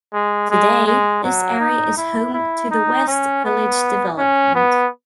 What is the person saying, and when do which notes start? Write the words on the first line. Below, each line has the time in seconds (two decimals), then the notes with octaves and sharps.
Today this area is home to the West Village development.
0.14 G#3
0.50 G#3
0.87 G#3
1.24 F#3
1.60 D#4
1.97 E4
2.34 E4
2.71 D#4
3.08 C#4
3.45 B3
4.18 C#4
4.55 B3